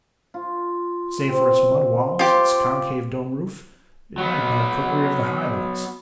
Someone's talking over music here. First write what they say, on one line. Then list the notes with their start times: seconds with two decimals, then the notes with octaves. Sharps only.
Save for its mud walls, its concave, dome-roof, it might have been a cookery of the Highlands.
0.34 F4
1.28 C4
2.19 F4 G4 C5
4.18 F#3 B3